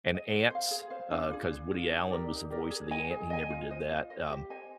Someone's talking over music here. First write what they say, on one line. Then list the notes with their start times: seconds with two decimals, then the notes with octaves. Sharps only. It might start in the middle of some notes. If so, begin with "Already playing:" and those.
and Ants, uh, 'cause Woody Allen was the voice of the ant, he never did that, um,
0.11 G#4 D#5
0.31 G#4
0.50 C5 F5
0.71 G#4
0.90 C5 F5
1.11 D4
1.31 F4 G#4
1.51 D4
1.71 F4 G#4
1.91 D#4
2.10 G4 A#4 D5
2.31 D#4
2.50 G4 A#4 D5
2.70 G#4
2.90 D#5 G#5
3.10 G#4
3.30 D#5 G#5
3.50 F4
3.70 C5 D#5
3.90 F4
4.10 C5 D#5
4.30 G4
4.50 C5 D#5 G#5